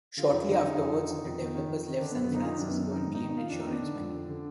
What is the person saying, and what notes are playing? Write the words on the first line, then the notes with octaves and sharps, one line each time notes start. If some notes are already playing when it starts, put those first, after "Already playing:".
Shortly afterwards, the developers left San Francisco and claimed insurance money.
D3 F4
D#4
F2
F4
D3 D#4
D3 D#4
F2
D3
D#3
F2
D#3
D#3
F2
D#3
D3 D4
B3
F#2
B3
D3 D#4
F4
D#3 D#4
D4
F#2
B3
D#3 D4
D#3 D#4
G#2
D#4
D#3
D#4
D#3 F4
D4
F2
D#4
D#3 B3 D4
D3
F2
D3
D3